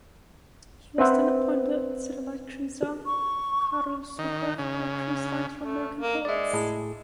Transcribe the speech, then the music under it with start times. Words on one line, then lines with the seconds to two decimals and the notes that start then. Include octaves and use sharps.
He was then appointed to the light cruiser Karlsruhe on a cruise line through American ports.
0.98 C4 B4 E5 F#5
3.06 C#6
4.19 D#3
4.58 C#3
5.58 A3
6.00 A#3
6.25 G#3 D5 E5
6.53 A2 G#4